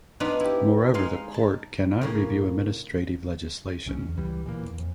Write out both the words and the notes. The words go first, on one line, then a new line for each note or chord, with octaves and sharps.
Moreover, the court cannot review administrative legislation.
B3 C4 D4 D#4 F4 B4
E4 G4
G#3 D#4 F5 C6
A5
A2 C#3 A#3
C2 F#2 C#4
E2
C#2 E3 G3
D1 A#2 E3 A#3
E2
F2